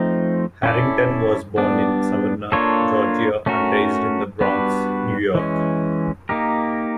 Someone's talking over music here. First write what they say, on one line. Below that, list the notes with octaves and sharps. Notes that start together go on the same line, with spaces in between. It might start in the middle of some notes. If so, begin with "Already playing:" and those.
Harrington was born in Savannah, Georgia and raised in the Bronx, New York.
Already playing: F3 A3 C4 D#4
C#4 E4 A4 D5
G3 B3 D4
A#3 D4 F4 A4 C#5
A3 C#4 F#4 A#4
G3 B3 D4 F#4 B4
E3 G#3 C#4
A#3 D#4 G4 A#4